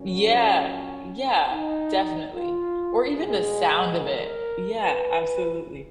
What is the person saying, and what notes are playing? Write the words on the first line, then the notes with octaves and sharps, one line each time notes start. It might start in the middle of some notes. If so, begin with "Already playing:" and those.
Yeah. Yeah. Definitely. Or even the sound of it. Yeah, absolutely.
Already playing: A#2 F#3 C#4
D#4
F4
B2 G#3 G#4
A#4
B4